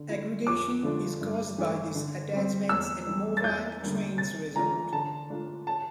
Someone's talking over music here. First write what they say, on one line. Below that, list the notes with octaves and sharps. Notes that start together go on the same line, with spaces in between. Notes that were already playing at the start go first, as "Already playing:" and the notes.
Aggregation is caused by these attachments and mobile trains result.
Already playing: D3
A3 E4
F2 D6
D3 F3 A3 D4
G2
E3 A3
D3
G3 C4
E2 E6
E3 G3
A6
E2 G6
D3 G3 A#3
C3 A6
E3 A3 D4 F4 A#5
D3 A5
A3 D4 F4
A5